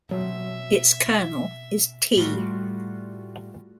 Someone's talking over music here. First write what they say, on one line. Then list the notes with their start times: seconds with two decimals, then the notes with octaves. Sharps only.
Its kernel is "T".
0.11 B2 F#3 C4 E5 E6
2.16 A2 G3 A3 F4 F#4